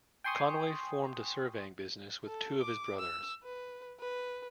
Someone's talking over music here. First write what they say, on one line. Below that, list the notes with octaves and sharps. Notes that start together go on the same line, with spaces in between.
Conway formed a surveying business with two of his brothers.
G5 G#5 C6 C#6 D#6
A4
D6
E6
B4
B4